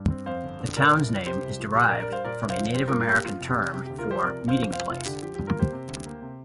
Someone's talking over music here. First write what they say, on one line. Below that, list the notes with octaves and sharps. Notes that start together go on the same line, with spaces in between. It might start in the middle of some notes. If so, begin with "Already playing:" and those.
The town's name is derived from a Native American term for meeting place.
Already playing: G2
C4
F2 C5 F5
G1
D3
A#2 A#4 D5
C2
F3
C3 G4 C5
C2
F3
A#2 G4
A#4 D5
A#1
A#4 D5
G3 C5 F5
A#2 A#4 D5
C2
C5 F5
F3
G3 G4 C5
F4 A#4
G2
F4 A#4
A#3 G4
F2 F4
F1
G4
C3
C3 G4
G4
D2
F4 A#4
F3 G4 C5
C3 A#4 D5
C2
C5 F5
F3
F2 C5 F5
F1 F4
D3 G4
F3 G4
G4
G2
F4 A#4
A#3 G4 C5
C3
D2
A#3
C3